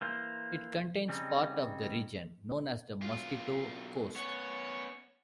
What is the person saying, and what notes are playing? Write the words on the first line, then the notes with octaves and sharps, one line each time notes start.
It contains part of the region known as the Mosquito Coast.
E3 A#3 C5
C#3 G3 C4 D#4
B1 F4
B3 C#4 C#5